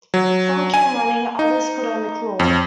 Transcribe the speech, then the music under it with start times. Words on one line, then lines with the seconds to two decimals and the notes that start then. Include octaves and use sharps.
Some came running, others could only crawl.
0.14 F#3
0.74 G#5
1.39 D#4
2.40 F2